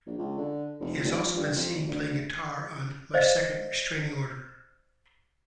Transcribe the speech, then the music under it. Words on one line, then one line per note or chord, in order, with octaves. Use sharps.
He has also been seen playing guitar on My Second Restraining Order.
A#1
C#2
D3
F1
D#1
F3
G2
F2
F1
D2
C5 D5 D#5 F5